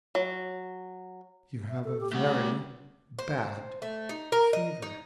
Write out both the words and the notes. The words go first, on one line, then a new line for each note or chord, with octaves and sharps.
"You have a very bad fever."
F#3
E5
A4
G4
G3 A3 F#5
C5
A3
D#4
A#4
D#5
D#4